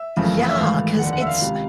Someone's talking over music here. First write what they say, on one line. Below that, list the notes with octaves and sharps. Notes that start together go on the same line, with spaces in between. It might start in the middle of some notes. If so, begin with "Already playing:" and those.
Yeah. 'Cause it's
Already playing: E5
F#1 F2 C#3 E3 A3
E5
G#1 G#2 E3 A3 F5
F1 D#2 D3 F#5
F#5
E5
F5
C#2 C3 D#3